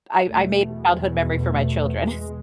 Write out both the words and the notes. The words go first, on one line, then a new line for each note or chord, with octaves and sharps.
I I made a childhood memory for my children.
E2 B2 A3
G#3
A3
G#3